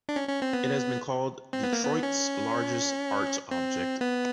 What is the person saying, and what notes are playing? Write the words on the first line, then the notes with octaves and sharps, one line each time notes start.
It has been called "Detroit's largest art object".
D4
C#4
C#4
C4
B3
C4
B3
A#3
B3
C#4
C4
B3